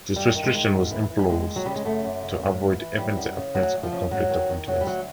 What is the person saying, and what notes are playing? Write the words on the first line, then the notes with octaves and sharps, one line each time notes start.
This restriction was imposed to avoid even the appearance of a conflict of interest.
G2 G3
D#3
G#3
D#3
G#2
E3
E3
G3
D#2 G#3
D#2
F#3
C#3 G3
G#3
F#2 A3
F#2
C#3
G#2
E3
E3
F#2 G3
F#2
C#3
D2 F#3
D2
F3
C#3
G#2 F#3
D#3
D#3
D2 F#3
G3
D2 F#3